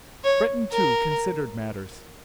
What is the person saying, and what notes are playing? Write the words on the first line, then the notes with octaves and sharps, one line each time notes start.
Breton, too, considered matters.
C#5
A#4